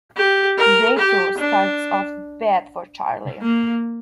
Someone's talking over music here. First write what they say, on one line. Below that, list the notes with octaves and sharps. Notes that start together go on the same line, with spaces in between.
Day two starts off bad for Charlie.
G4
A#4
G4
D4
A#3